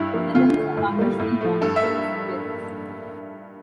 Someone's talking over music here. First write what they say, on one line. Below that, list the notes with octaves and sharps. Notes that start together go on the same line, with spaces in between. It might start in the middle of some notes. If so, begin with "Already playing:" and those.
The limbs are unusually long for tree squirrels.
Already playing: G2 E4
F3 A#3
D2 F4
D3 A3
A2
G3 A#3
A2
F3 A3
G2 A4
E5
A#3